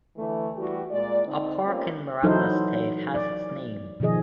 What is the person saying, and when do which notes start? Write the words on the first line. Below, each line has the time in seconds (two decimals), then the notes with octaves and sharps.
A park in Miranda State has its name.
0.16 D3 E3 A3
0.56 E3 G3 A3 F#4 G4
0.91 A#2 G#3 D5
1.26 D3 C4 D#4
1.65 G3 A3 A#3 C4 C#4 F4
2.23 E3 F#3 D#4 E4 A4 C5
3.15 D5
4.00 B2 D#3 F3 G#4 D#5